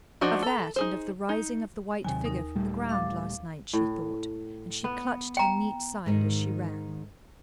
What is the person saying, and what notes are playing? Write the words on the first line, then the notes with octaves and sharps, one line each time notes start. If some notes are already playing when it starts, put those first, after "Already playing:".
Of that, and of the rising of the white figure from the ground last night she thought, and she clutched her neat side as she ran.
F3 D4 D#4 F#4
A4 A#5
D#4 G#4 C5
D#4
D#2 C3 D#3 F#3 G#5
D#4 A#4
A#2 G3 A3
F5 D6 A6
A2
B3
G5 A#5
G#2 D#3